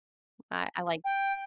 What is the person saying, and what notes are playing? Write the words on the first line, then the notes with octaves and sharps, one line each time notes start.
I I like
G5